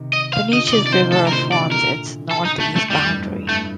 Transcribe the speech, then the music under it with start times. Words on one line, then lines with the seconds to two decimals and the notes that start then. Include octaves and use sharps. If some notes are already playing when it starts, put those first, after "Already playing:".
The Neches River forms its northeast boundary.
Already playing: C3 D#3
0.13 D#5
0.33 F5
0.53 D3 F3 D#5
0.68 D#5
0.72 C3 D#3 D5
0.87 D5
0.92 C3 D#3 C5
1.12 A2 C3 A4
1.27 A#4
1.32 D3 F3 C5
1.51 C3 D#3 D5
1.71 A#2 D3 A#4
2.31 A4
2.45 D#4
2.60 A3
2.76 A3
2.90 F2 A2 G3
3.10 G2
3.49 G2 A3